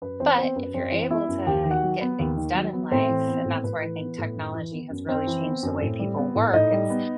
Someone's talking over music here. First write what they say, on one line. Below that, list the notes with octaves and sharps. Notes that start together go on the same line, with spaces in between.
But if you're able to get things done in life, and that's where I think technology has really changed the way people work, it's
F#2 B4
E3 C4 C5
B3 C4 C5
F#2 B4
F#2 C4 C5
E3
B3 E4 E5
F#2
D#2 G4 G5
D#3
F#4 F#5
F#3
B3
D#2
D#3
F#3
B3
A2 C4 C5
E3
B3
A2
A2 B4
E3
B3
A2
F#2
E3
B3
F#2
F#2 C4 C5
E3
B3
F#2
A2
G3
B3
A2
A2 D#4 D#5
G3
B3